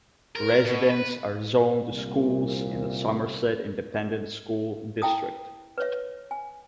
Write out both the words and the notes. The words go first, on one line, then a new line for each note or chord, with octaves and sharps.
Residents are zoned to schools in the Somerset Independent School District.
A#4
B2
B4
C2 A#2
E4 E5 G5 A5 D#6
B4 C#5 E5
G#5